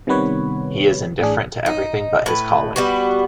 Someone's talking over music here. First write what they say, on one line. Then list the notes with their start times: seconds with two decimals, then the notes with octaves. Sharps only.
He is indifferent to everything but his calling.
0.07 C3 D#3 G3 B3 B4 C#5
1.21 A1 A2 D4 G#4
1.66 D#4
2.26 A2 B4
2.76 G3 B3 F#4